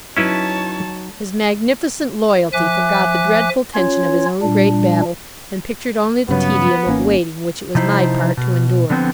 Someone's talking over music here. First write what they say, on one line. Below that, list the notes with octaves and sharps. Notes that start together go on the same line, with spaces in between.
His magnificent loyalty forgot the dreadful tension of his own great battle, and pictured only the tedium of waiting which it was my part to endure.
F#3 C#4 D#4 E4 B4 C#5 A5
F3 E5 G#5 D6 F#6
C#4 F4 C#5
A#2 G3 D4
G2 C#3 F#3 B3
G#1 A#3 C#4
C3 F3 D#4 E4 C5
B2
D3 F3 B3 C4